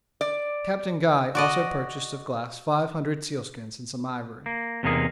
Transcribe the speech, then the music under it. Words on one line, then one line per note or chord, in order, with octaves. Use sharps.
Captain Guy also purchased of Glass five hundred sealskins and some ivory.
D5
F#4 D5 D#5
A#3
E2 C3 A#3 D#4 G#4 A#4